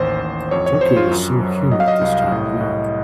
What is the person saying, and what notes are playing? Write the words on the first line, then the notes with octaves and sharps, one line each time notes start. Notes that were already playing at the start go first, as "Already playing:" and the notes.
Tokyo is so humid this time of year.
Already playing: A1 D#2 C5
A1
F2 C#5
C#5
F2 C5
F4
F#2
F#3
F#3 D#5
F5
D#5
C2
A2
A2